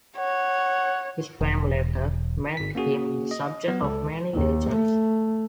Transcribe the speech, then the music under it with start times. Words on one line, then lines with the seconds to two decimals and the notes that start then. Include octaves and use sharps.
His fame later made him the subject of many legends.
0.18 C#5 F#5
1.41 E1
2.57 G1 B6
2.75 A#3 C#4 F#4 G#4
3.31 D#5
3.68 F#3 B3
3.82 C#2 A4
4.34 D#2
4.71 A3